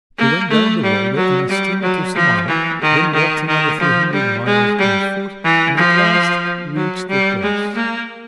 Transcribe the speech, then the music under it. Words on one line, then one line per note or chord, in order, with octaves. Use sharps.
He went down the Volga on a steamer to Samara, then walked another three hundred miles on foot, and at last reached the place.
A#3
A3
G3
F#3
G3
F#3
F3
E3
D#3
D#3
D#3
F3
G3
G#3
G3
E3
F3
F#3
G3
G#3
A#3